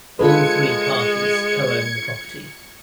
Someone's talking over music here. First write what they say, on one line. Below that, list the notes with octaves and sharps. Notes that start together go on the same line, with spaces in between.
All three parties co-own the property.
G#3 F4 A4 B4 G#6 C#7